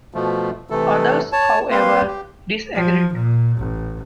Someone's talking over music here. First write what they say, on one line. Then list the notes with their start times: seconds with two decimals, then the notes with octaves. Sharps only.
Others, however, disagreed.
0.14 B2 F3 A3
0.70 C3 E3 A3 A4
1.32 C#5 A5
1.71 A#3 C4 B4 F5 C6
2.07 G4
2.75 F3
3.14 A#2
3.57 A1